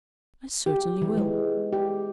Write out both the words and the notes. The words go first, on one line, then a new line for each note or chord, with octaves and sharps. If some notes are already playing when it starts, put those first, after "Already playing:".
"I certainly will."
G4
E3
G#3
G4